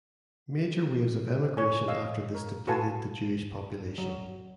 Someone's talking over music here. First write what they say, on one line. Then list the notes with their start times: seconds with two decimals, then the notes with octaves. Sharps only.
Major waves of emigration after this depleted the Jewish population.
1.57 C#5 G#5
1.88 D#5 F5 E6
2.35 A#4
2.67 F#4 A4 B4 F5 G#5 A5
3.98 F#3